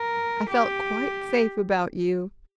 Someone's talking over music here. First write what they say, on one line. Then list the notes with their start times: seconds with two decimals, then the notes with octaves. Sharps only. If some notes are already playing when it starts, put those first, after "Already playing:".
I felt quite safe about you.
Already playing: A#4
0.52 G4